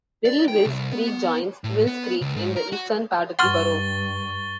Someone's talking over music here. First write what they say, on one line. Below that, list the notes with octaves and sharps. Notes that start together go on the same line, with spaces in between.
Little Wills Creek joins Wills Creek in the eastern part of the borough.
D5
G5
C2
B3
A2
B3
C#2
G#2
A#4
F#4
G2 F#5 C6 C#6 F6 A6 G7